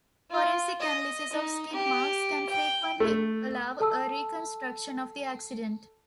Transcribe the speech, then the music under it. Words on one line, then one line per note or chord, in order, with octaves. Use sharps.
Forensic analysis of skid marks can frequently allow a reconstruction of the accident.
F4
D#5
D#4
G4
G5
A3
A4 A5 E6